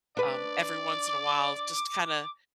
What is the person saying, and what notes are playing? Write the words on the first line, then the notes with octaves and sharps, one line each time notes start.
um, every once in a while just to kinda
D4 B4 D5
D6